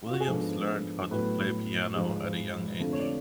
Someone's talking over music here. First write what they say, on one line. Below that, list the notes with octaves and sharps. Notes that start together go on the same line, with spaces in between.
Williams learned how to play piano at a young age.
F4
F#4
G#4
G#2 F3 B3 D4 A4
A2 F#3 B3 B4
G#2 F3 G#3
F2 D3 F3 A3
C#5
D5